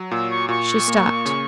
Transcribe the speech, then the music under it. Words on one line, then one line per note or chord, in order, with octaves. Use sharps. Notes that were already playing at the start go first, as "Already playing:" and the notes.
She stopped.
Already playing: F#3
A#2 E6
C#6
A#2 C#6
A#3
C#3